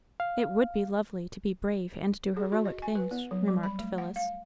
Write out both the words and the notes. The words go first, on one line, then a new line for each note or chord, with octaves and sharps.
"It would be lovely to be brave and do heroic things," remarked Phyllis.
F5
G#4
F#4
D#5
G#5
B4
B3
F#3
G3
B5
A3
F#5
F5